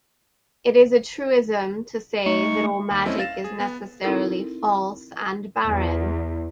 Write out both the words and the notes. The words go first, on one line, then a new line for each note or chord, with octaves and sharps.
It is a truism to say that all magic is necessarily false and barren.
A3 D#4 C#6
D#2
A3 C4 C#4 E4 A4 D#5
F5 A6 A#6 E7
G#4
B3
C4 D#4 E4 A4 A#4
E2